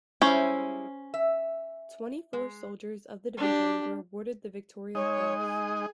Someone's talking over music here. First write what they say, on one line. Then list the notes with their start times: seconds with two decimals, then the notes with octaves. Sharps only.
Twenty-four soldiers of the division were awarded the Victoria Cross.
0.22 G3 G#3 C#4 E4 C5
1.14 E5
2.33 G#3
3.37 D4 G4
4.95 G#3 D#4 C#5 D#5
5.39 G#4